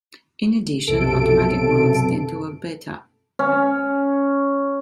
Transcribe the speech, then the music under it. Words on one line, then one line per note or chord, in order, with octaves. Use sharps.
In addition, automatic modes tend to work better.
B1 F#2 C3 A4 D7
C#4